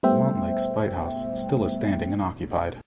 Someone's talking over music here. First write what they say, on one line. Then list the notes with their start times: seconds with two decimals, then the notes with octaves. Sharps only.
The Montlake Spite House still is standing and occupied.
0.03 G3 A3 B3 C5 E5 G5